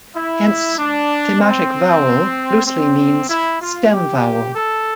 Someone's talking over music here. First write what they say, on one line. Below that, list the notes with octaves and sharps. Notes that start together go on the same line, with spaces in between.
Hence, "thematic vowel" loosely means "stem vowel".
E4
D4
C4
C4
E4
F4
G4
A4